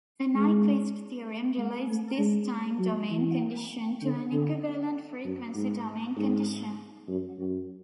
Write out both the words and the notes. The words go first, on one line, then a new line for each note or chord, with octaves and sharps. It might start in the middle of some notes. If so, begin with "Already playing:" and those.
The Nyquist theorem relates this time-domain condition to an equivalent frequency-domain condition.
G#3
G#3
A3
G#3
F#3
E3
D3
D3
F#2
G#2
G#2
F#2
F#2